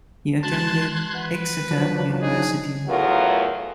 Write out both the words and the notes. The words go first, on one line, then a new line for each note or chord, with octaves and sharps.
He attended Exeter University.
G#3 F#4 A5 C6 F#6 G#6
E3 B4 F#5
F3 F#3 D4
D#4 G#4 C#5 D#5
E2 A2 F#3 F4 F#4 A#4